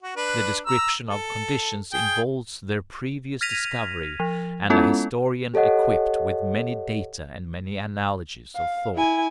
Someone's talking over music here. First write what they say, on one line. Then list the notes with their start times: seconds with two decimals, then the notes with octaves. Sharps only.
The description of conditions involves their previous discovery and a historian equipped with many data and many analogies of thought.
0.02 F#4
0.16 D4 B4
0.66 A#5 E6
1.09 A4
1.93 G#4 G5
3.41 F6 G#6 A#6 B6 D#7 F7
4.20 F3
4.70 G#3 B3 C#4 E4 F4 A4
5.54 G4 A4 C#5 D#5 F#5
8.56 F5
8.96 E4 G#5